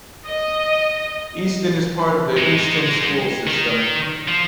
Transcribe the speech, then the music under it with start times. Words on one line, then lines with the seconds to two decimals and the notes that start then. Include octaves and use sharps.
Easton is part of the Easton School System.
0.25 D#5
2.37 G#3 D#4
3.47 D#3
4.28 F3